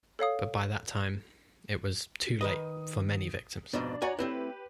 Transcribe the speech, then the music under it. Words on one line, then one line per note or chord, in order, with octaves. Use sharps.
But by that time, it was too late for many victims.
A4 C#5 F5 D#6
D#3 B4 D#5 D#6
F2 G#2 B2 D4
F#4 C#5 D5 F#5 G#5 A#5
A3 C4 E4 G4 B4